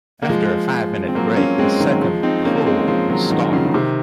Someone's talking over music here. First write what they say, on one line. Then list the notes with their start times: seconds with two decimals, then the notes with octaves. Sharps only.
After a five-minute break, the second pull was started.
0.22 A#3
0.29 F3 G#3
1.08 C4
1.15 F#3 A#3
1.37 A#3 C#4
1.58 G#3 C4
1.80 D#3 F#3
2.01 F3 G#3
2.23 C4 D#4
2.45 A#3 C#4
2.66 G#3 C4
2.88 F3 G#3
3.10 D#3 F#3
3.31 D#3 F#3
3.53 C#3 F3
3.66 C#3
3.74 C3 D#3